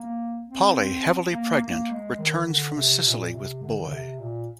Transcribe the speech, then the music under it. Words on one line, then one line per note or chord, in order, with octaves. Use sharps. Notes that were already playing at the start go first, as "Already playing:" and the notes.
Polly, heavily pregnant, returns from Sicily with Boy.
Already playing: A#3
C4
A#3
A#3
G#3
D#3
D#3
D3
C3
A#2
C3
D3
D#3
D3
C3
A#2